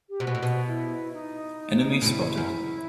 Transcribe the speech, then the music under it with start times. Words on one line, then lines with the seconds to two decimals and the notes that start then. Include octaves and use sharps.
Enemy spotted!
0.09 G4
0.20 C3 F#4
0.27 B2
0.35 A2
0.43 B2
0.67 E4
1.13 D#4
2.02 A2
2.06 G2 E4
2.37 F#2